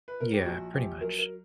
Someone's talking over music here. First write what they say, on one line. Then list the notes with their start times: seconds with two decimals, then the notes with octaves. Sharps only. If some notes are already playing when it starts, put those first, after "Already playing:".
Yeah, pretty much.
0.08 B4
0.20 A#4
0.33 G4
0.46 A#1 F#4
0.74 A#1 G4
1.01 F#3 A#4
1.19 A#4